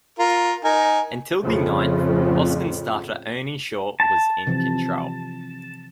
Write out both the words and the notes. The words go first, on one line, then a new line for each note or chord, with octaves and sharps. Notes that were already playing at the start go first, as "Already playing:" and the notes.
Until the ninth, Boston starter Ernie Shore was in control.
F4 A#4
D#4 A#4 G#5
F2 A2 C#3 F3 A3
A5
C3 E3 F3